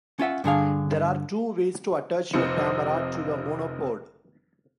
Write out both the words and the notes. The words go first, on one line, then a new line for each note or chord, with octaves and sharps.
There are two ways to attach your camera to a monopod.
C#4 F4 E5 F#5
G2 D3 G#4 F5
F1 C3 F3 D#4 C5 C#7